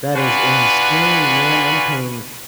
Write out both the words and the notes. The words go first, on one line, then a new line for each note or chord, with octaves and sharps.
That is insane, man, I'm paying
D4 F4 F#4 B4 G#5